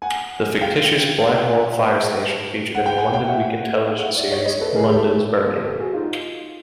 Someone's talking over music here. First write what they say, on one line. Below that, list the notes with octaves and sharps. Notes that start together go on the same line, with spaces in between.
The fictitious Blackwall Fire Station featured in the London Weekend Television series "London's Burning".
F#5 G#5
F5 G5
F5 G5
F5 G5
F#5 G#5
G5 A5
F#5
G5
F#5 G#5
F5 G5
E5 F#5
F5 G5
E5 F#5
D5 E5
C#5 D#5
C#5 D#5
A4 B4
G#4 A#4
G4 A4
G4 A4
F#4 G#4
D#4 F4